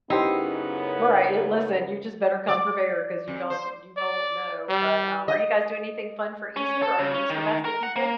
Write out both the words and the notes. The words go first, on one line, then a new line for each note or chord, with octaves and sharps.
Well, right, i listen, you just better come prepared 'cause you don't you don't know, but, um, are you guys doing anything fun for Easter? Are you Easter basket people?
F#2 C#3 B3 D#4 E4 G4 C5
D5
F2
C5
D5
G3
D#5
C#4
A4
C#3
C#4
D#3
A#4
F#5
A#3